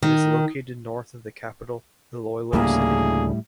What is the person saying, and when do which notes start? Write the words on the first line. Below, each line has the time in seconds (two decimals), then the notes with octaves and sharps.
It is located north of the capital Iloilo City.
0.03 D#3
2.53 D2 A2 C#3 G3 A#3 E4 G#4